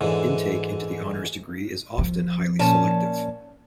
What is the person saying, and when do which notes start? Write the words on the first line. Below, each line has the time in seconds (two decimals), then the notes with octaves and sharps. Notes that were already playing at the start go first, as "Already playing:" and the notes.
Intake into the honours degree is often highly selective.
0.01 G#2 D3 E3
1.98 F3
2.59 A#2 C#4 A5